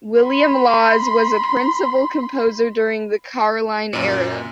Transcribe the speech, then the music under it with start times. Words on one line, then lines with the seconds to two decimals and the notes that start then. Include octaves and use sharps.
William Lawes was a principal composer during the Caroline era.
0.21 B5 C6
3.93 F#2 A#2